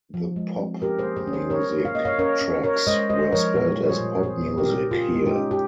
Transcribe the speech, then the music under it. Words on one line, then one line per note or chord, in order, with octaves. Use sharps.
The "Pop Muzik" tracks were spelled as "Popmuzik" here.
F3
G#3
C4
C#4 G4 A#4
G#4 C5
A#3
G#4 C5
C#4
G#4 C5
C#4 A#4 C#5
A#3
F5
A#3 D#5
C#5 F5
C#4 A#4 C#5
C#4
C#4 A#4 C#5
G#3 C5 D#5
G#3 C5 D#5
F3 A#4 C#5
A#2
G3
C#5
G#4 C5
A#2
C4 G#4 C5
A#2
G4 A#4
A#2
C#3 F4 G#4
G#3
D#4 G4
C#4
G4